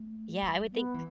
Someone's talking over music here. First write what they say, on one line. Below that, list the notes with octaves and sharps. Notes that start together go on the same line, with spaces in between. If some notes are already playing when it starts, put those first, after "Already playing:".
Yeah, I would think
Already playing: A3
G3
B3
E3